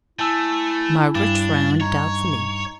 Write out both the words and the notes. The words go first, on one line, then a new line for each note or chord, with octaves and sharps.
Margaret frowned doubtfully.
A3 E4 G#5 A5 E6
G2 D4
D#4 C#5 A#5